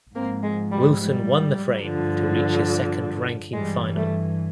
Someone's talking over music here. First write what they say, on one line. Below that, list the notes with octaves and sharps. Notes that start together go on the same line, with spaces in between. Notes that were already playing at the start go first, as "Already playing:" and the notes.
Wilson won the frame to reach his second ranking final.
G#2 F3 A#3 C4
G#3
G3
G3
G2 D3 F3
G2 E3 G3 G#3
G3 A3